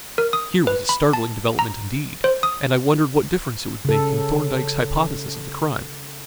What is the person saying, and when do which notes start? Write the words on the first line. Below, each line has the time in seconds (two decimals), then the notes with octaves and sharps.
Here was a startling development, indeed, and I wondered what difference it would make in Thorndyke's hypothesis of the crime.
0.18 A#4
0.33 D#6
0.67 B4
0.89 B5
1.13 A5
1.59 A#5
2.24 C5
2.43 D#6
3.85 C#3 A4